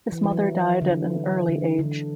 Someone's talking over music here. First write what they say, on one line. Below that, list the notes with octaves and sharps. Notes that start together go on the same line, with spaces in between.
His mother died at an early age.
E3
E3
F#3
D3
E3
D3
D3